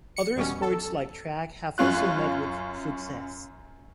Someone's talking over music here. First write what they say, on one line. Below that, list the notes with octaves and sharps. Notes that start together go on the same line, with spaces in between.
Other sports like track have also met with success.
C#7
E2 B2 G3 C#4
A4
F#2 C#4 F4 F#6